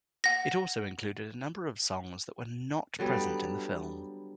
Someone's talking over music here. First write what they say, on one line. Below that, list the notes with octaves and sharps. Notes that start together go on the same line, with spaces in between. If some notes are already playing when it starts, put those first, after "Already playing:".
It also included a number of songs that were not present in the film.
F#5 A#6
D3 F#3 G3 B3